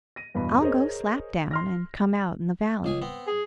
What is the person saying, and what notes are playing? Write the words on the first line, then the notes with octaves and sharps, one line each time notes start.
I'll go slap down, and come out in the valley.
A#6 D#7
E2 G2 B2 B5
G#4 A#4 C5 C#5 D#5
C6 F6 A#6
C#2 G#4 G#5
B3 C4
G#4